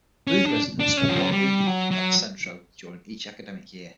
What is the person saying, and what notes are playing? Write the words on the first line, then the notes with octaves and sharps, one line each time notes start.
Booth Residents spend one week at the Centro during each academic year.
C#4
D4
D4
C#4
F3
F#3
G3
F#3
F#3